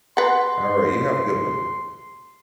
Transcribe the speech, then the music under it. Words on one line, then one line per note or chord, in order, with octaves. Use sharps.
Alright, you have a good one.
B4 F#5 C6